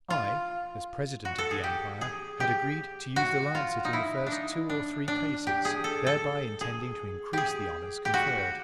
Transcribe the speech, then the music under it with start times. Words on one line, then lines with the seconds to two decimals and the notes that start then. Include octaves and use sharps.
I, as president of the empire, had agreed to use the lancet in the first two or three cases, thereby intending to increase the honours conferred.
0.10 F4
1.25 F#4
1.38 A4
1.51 G#4
1.64 G4
2.01 G#4
2.40 G4
3.16 F#4
3.55 F4
3.85 D#4
3.93 E4
4.26 D4
4.32 D#4
4.70 D4
5.08 D4
5.47 G4
5.65 G#4
5.84 A4
6.07 A4
6.61 G#4
7.33 G4 G#4
8.05 G4
8.14 F#4